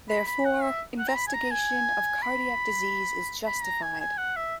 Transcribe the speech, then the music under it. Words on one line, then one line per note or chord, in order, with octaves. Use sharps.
Therefore, investigation of cardiac disease is justified.
B5
B5
F#5
E5
F#5
A#5
B5
G#5
A#5
G#5
B5
B5
A#5
G#5
G#5
F#5
E5